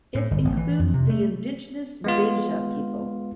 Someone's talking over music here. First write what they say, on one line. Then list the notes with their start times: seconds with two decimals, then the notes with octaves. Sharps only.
It includes the indigenous Beja people.
0.15 A2
0.31 G1
0.45 A1
0.57 E3
0.79 F2
0.94 C3
1.09 A3
2.04 G#3 B3 F4